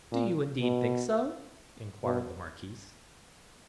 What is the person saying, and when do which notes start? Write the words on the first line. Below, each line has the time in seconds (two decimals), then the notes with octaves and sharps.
"Do you, indeed, think so?" inquired the marquise.
0.12 A#2
0.60 B2
2.04 B2